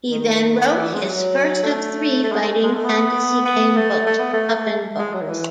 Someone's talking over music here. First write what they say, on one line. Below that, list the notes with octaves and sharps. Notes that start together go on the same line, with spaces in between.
He then wrote his first of three Fighting Fantasy gamebooks for Puffin Books.
D#3
E3
G#3
F#3
A3
A3
G#3
A3
G#3
A3
B3
B3
A3
A3
B3
A3
G#3
F#3
D#3
E3